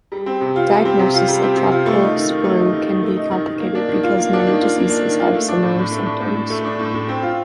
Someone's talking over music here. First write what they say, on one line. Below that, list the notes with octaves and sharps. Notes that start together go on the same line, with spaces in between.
Diagnosis of tropical sprue can be complicated because many diseases have similar symptoms.
G3
C4
C3
F4
G3
C4
C3
F4
G3
C4
C3
F4
A3
D#4
D#3
D#3
A3
D#4
D#3
D#3
A3
D#4
D#3
D#3
A#3
D4
D#3
F4
A#3
D4
D#3
F4
A#3
D4
D#3
F4
A3
D4
A2
A2
A3
D4
A2
A2
A3
D4
A2
A2
C4
F4